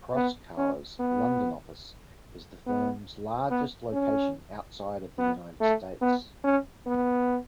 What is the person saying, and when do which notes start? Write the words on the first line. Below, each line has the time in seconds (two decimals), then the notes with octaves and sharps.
Proskauer's London office is the firm's largest location outside of the United States.
0.15 B3
0.57 C#4
0.99 B3
2.67 B3
3.50 B3
3.93 C#4
5.18 B3
5.61 A3
6.02 B3
6.44 C#4
6.87 B3